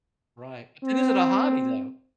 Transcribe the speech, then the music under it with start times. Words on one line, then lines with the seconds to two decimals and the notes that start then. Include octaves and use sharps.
Right. But, then, is it a hobby, though?
0.84 C4